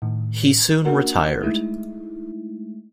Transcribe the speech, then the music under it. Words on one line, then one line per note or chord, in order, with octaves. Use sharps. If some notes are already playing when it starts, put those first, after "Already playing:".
He soon retired.
A2 D#3
A#3 D4 F#4 A#4
G#3 A3 D#4 E4